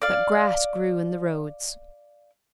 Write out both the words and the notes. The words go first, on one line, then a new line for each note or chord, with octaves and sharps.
But grass grew in the roads.
D5 F5